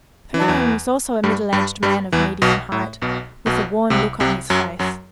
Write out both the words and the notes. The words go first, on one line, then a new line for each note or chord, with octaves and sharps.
Fanarin was also a middle-aged man of medium height, with a worn look on his face.
E3
F#3
E2 E3
G2 G3
G2 G3
G2 G3
E2 E3
B1 B2
A2
B1 B2
B1 B2
C2 C3
C2 C3
F#2 F#3
F#2 F#3